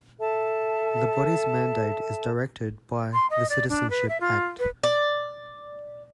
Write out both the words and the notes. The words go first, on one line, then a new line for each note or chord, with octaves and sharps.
The body's mandate is directed by the Citizenship Act.
A4 E5 A5
C6
D#5
D5
D4
B4
E5
F4
B4
D5